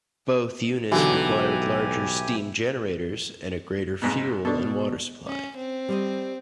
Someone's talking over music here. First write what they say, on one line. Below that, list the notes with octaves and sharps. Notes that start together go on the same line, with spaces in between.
Both units required larger steam generators, and a greater fuel and water supply.
B1 D3 E3 F#3 G4 G#5
F2 G#2 B2
B2 D4 A4
C#4
C4
G3 C5 D#5